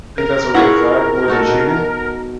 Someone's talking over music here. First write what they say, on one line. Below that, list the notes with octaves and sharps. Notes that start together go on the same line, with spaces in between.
Think that's a red flag more than cheating?
A#4
E4 F4 G#4 C#5 D5 F#5
D#4 F#4 A4
B2